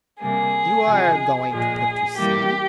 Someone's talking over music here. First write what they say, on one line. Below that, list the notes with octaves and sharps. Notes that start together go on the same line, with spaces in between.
"You are going to put to sea?"
C3 G3 A#3 G#4
C3 F3 G#3
A#2 F3 G#3 G#4
E3 G3 A#3 G4